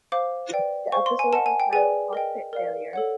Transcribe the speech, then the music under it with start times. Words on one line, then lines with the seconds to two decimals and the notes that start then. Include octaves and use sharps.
The episode is entitled "Cockpit Failure".
0.12 C5 F5 D6
0.52 B4 D5 G5
0.92 C5 F5 C#6
1.06 C6
1.19 G#5
1.33 A#4 D#5 F#5 A5
1.46 G#5
1.60 G5
1.72 G#4 B4 D5 G#5
2.13 A#4 D#5 G5
2.53 A#4 D5 F5
2.93 A4 C#5 F#5